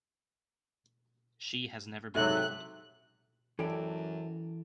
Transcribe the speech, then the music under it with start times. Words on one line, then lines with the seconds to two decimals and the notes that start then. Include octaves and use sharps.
She has never been found.
2.15 G#2 C3 F#3 G4 A4 E5 F#6
3.59 F#2 E3 G4 A4 D5